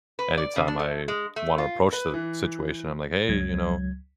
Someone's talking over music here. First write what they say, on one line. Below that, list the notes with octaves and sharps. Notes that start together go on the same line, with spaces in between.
anytime I wanna approach the situation, I'm like, "Hey. You know,
B4
D5
C#3
D4
A3
G#3
A3
F4
B4
E3
C#2 F#3 G#6